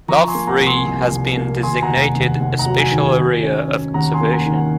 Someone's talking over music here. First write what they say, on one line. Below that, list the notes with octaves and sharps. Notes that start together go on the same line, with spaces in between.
Lough Ree has been designated a Special Area of Conservation.
F3 A#5 C#6
G#5 C6
A#3
F#5 A#5
C2
G#5 C6
C2
C2
A#3
D#2 G#5 C6
F#5 A#5
F1
D#2
F#5
D#2 F#5
F#5 A#5
F#3
G#5
D#3
G#5
D#3
C#4
C#4
D#2 F#5 A#5
G#5 C6
A#3
F#5 A#5
D#3
F#5